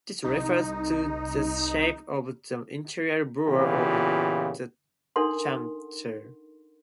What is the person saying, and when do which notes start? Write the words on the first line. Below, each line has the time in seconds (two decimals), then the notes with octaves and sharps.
This refers to the shape of the internal bore of the chanter.
0.24 C2 D#4
3.48 A#2 C#3 E3 B3 F4 G4
5.16 D4 D#4 A4 A#4 F#5 C6